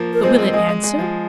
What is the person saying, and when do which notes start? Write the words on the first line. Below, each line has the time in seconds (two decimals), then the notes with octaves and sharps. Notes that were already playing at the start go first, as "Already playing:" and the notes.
But will it answer?
Already playing: F3 A#3
0.13 A#4
0.23 G#3 C4 C5
0.38 G#3 C4
0.54 G#3 D#5
0.69 G#3
0.84 G#3
0.99 F3